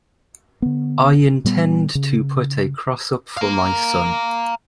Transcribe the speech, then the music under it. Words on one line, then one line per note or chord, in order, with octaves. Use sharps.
I intend to put a cross up for my son.
D3 B3
A#2 G3 B3
C#3
F5 A#5